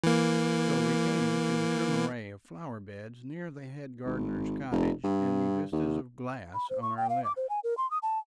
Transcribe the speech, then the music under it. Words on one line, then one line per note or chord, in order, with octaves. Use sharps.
So we came to the trim array of flower-beds near the head gardener's cottage and the vistas of "glass" on our left.
E3 A#3
G#1
F1
G2
D#2
B5
C5
C#6
G5
F5
D6
C5
G#5
A#4
C6
D#6
A5